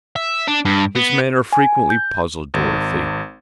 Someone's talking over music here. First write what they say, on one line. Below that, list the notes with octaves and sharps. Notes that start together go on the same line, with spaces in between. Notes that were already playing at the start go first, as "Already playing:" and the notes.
His manner frequently puzzled Dorothy.
E5
D4
G2
B3
G#5
G6
G#1